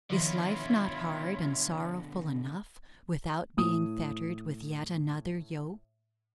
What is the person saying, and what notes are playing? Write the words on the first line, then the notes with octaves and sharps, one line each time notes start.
Is life not hard and sorrowful enough without being fettered with yet another yoke?
B2 D3 D#3 F3 E4 F4 C#5
A2 D#6